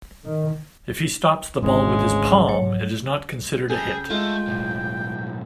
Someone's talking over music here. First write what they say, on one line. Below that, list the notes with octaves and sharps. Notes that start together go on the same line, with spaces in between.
If he stops the ball with his palm, it is not considered a hit.
D#3
G#1 D2 C#3 E3 G#3
G#2 F#3 C#5
C#3 G#4 A4 G5
G#3 A3 F4
B1 A2